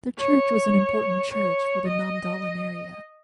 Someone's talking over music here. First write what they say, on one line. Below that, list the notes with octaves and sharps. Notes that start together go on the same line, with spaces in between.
The church was an important church for the Namdalen area.
C#5
C#5
D#5